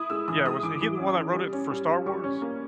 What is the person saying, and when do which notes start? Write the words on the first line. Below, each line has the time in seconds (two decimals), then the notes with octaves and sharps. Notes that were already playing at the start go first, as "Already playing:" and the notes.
Yeah, was h he the one that wrote it for Star Wars?
Already playing: E4 D#6
0.10 G#3 E6
0.28 E3 D#6
0.45 G#3 D#6
0.63 E3 D6
0.81 E3
0.99 C#4
1.17 E3
1.35 G3
1.53 C#4
1.70 G3
1.89 G3
2.06 G3 C#6
2.24 C#4
2.42 A#3